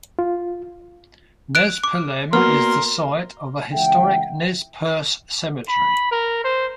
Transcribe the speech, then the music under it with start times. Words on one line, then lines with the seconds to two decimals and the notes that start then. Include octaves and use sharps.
Nespelem is the site of a historic Nez Perce cemetery.
0.19 F4
1.55 F#6 D7
1.84 D6
2.33 A#3 B3 F#4 A#4 C6 F6
3.74 C#2 E3 E5 F#5 G5
5.68 B5
6.11 A#4
6.44 C5